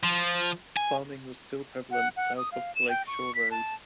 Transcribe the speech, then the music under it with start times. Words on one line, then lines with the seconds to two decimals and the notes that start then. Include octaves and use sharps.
Farming was still prevalent south of The Lake Shore Road.
0.03 F3
0.77 G#5
1.91 F#5
2.17 F#5
2.37 D#6
2.52 F5
2.75 E7
2.89 G5
3.07 C#6
3.35 B6
3.51 A5